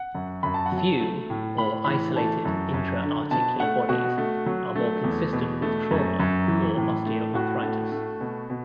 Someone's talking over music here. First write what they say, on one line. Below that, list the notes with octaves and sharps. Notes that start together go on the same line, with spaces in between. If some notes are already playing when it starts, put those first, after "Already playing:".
Few or isolated intra-articular bodies are more consistent with trauma or osteoarthritis.
Already playing: F#5
F#2
F#2 B5
A5
F#5
F#3
A5
A3
A2
A2 B5
E3 B5
A3 A5
F#2
F#2
D3
B2 A5
A3 F#5
B2 F#4
A3
F#3
A3
E2
B2
A3
F#2
F#2
E3
A2
A3
A2 F#4
A3
A3
B2
B2